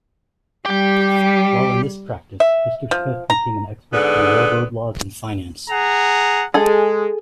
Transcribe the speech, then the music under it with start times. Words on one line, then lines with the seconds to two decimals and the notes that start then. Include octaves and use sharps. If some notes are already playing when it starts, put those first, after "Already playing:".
While in this practice, Mr. Smith became an expert on railroad law and finance.
0.66 G3 G4 G5
2.40 E5
2.91 F3
3.30 A#5
3.93 G#2 D3 B3
5.69 G#4 F#5 A#5
6.54 G#3 G#4 A4